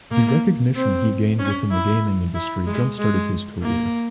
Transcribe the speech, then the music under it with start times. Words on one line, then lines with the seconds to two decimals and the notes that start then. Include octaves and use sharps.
The recognition he gained within the gaming industry jump-started his career.
0.11 A#3
0.75 C4
1.39 C#4
1.71 E4
2.34 E4
2.67 G#3
2.98 G#3
3.62 A#3